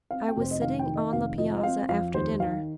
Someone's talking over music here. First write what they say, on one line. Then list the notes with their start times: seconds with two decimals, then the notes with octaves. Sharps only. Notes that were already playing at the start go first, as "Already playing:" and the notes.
I was sitting on the piazza after dinner.
0.11 C4 F5
0.28 G5
0.37 F1 C5
0.51 D#5
0.62 D#3 F5
0.79 G5
0.87 D#3
0.96 D#5
1.13 F1 F5
1.38 F3 D#5
1.57 D#5
1.63 C4 F5
1.89 F2 F5
2.14 D#2 C5
2.40 D#3 F5